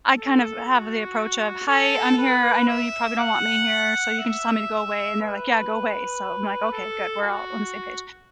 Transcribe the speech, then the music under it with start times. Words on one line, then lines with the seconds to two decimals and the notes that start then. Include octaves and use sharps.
I kind of have the approach of, "Hi, I'm here, I know you probably don't want me here, so you can just tell me to go away," and they're, like, "Yeah, go away." So, I'm, like, "Okay, good," we're all on the same page,
0.17 A4
0.67 F#4
1.67 A4
2.18 B4
2.68 E5
3.19 F#5
4.19 E5
5.21 B4
6.72 A4
7.22 F#4